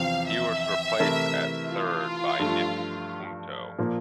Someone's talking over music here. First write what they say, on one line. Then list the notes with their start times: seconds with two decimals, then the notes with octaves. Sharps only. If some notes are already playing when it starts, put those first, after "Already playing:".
He was replaced at third by Nick Punto.
Already playing: E2 C3 F3 C4 G4 F5
0.30 E5
1.00 C3 E3 A3 E4 A#4
1.69 F4
2.39 G2 F3 A3
3.79 A#2 F3 A#3